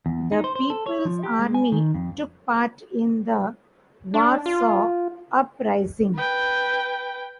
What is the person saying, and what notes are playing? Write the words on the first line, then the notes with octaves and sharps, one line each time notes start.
The People's Army took part in the Warsaw Uprising.
E2
D#4
C5
C5
A4
C#5
F3
G4
G#3
G#5
D#3
F2
D4
F4
B4 G5